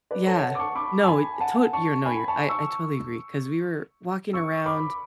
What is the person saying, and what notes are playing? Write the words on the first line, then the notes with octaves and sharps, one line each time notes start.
Yeah. No. I it to you're no, your I I totally agree 'cause we were walking around
B4 D5
A4 C#5
F#5 A5
D6
A5 C#6
B5 D6
A5
G#5 B5
F#5 A5
A5 C#6
G#5 B5
A5 C#6
C#6 E6
C#6 E6
B5 D6